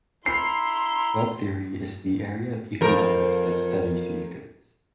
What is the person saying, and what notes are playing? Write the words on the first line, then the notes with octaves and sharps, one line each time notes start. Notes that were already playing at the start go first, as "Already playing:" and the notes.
Club theory is the area of economics that studies these goods.
E4 A#5 C6 C7
F2 A#4